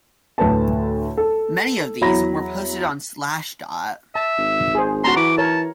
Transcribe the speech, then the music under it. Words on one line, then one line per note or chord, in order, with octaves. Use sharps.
Many of these were posted on Slashdot.
D2 A2 B4 A5
A4
E2 F#3 E4 A#5 B5 A#6
E5 A5
G#1
G#4 C5
D1 F#4 A5 A#5 C6
E3 B5 D6
A#4 C#5 A5